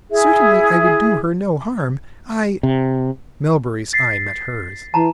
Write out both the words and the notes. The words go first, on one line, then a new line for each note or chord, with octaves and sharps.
"Certainly I would do her no harm--I--" Melbury's eye met hers.
E4 G#4 E5
C3
A6 B6 C7
E3 A5 A#5